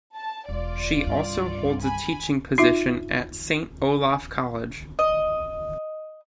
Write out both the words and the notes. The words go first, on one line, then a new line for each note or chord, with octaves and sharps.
She also holds a teaching position at Saint Olaf College.
A5
E1 F4 D5
C2 G2
G#5 B5
D#4 F4 E5
D#5